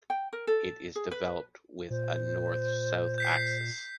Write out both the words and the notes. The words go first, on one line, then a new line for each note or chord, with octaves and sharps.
It is developed with a North-South axis.
G5
A#4
A4
G#4
B4
A#2 C5
G6 B6 C7